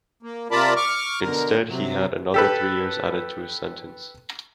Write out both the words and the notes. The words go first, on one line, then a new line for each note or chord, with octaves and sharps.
Instead, he had another three years added to his sentence.
A#3
C3 F4 A#4 D5 A5 B5
C#6 D6 F6
B2 D3 A#4
C3 F#3
G4 A4 B4